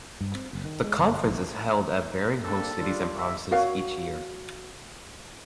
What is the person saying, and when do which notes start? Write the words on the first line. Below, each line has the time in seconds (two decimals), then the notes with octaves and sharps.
The conference is held at varying host cities and provinces each year.
0.20 G2
0.34 C4
0.53 F#1
0.65 D#3
0.84 G#3
0.99 G1
1.24 A#1
2.44 A#3 C4 D4 A4
2.79 G3 D4 F4
3.18 G4 E5
3.51 F#4 A#4 C#5 F5